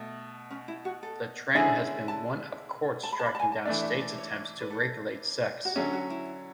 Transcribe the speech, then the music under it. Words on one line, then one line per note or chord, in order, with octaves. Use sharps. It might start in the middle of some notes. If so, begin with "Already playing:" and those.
The trend has been one of courts striking down states' attempts to regulate sex.
Already playing: B2 A3
C#4
E4
F#4
A4
D3 G#3 C#4 E4 G#4 G#5
A5
A5
B5
A5
B5
A5
G#5
A5
E3 A3 D4 D5
E5
D5
C#5
C#5
B4
A4
F#4
D3 F#3 C#4 G#4
F#4
E4